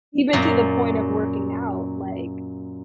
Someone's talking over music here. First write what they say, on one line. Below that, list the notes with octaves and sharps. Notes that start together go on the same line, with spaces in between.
Even to the point of working out, like
F#2 A#2